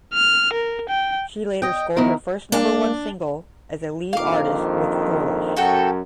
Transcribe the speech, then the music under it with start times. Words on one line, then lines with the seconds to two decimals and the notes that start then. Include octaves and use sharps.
She later scored her first number-one single as a lead artist with "Foolish".
0.14 F6
0.53 A#4
0.89 G5
1.62 D#5 G5
1.97 D#3 B3 E4 A#4
2.52 A#3 D4
4.13 A#1 F2 D#3 F5 D6
5.57 F#2 F#4 A4 G5